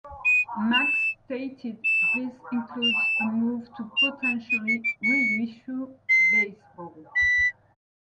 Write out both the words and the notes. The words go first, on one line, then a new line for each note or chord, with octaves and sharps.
Max stated this includes a move to potentially reissue Baseball.
D#7
F7
E7
E7
F7
E7
F7
E7
D#7
C#7
D7
C#7
C7
B6